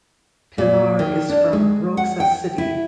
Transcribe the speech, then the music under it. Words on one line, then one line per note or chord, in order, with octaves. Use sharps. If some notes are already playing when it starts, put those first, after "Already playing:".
Pilar is from Roxas City.
A#2
D#3
D4
G#3
F#5
G5
E4